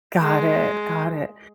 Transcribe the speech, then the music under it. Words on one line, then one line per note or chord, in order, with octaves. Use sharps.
Got it. Got it.
G#3